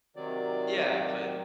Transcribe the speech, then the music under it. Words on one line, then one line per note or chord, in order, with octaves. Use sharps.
Yeah, but
C3 D#3 F#3 D5